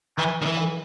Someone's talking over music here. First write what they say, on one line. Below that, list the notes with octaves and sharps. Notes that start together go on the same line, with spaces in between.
act like
E3
D#3
E3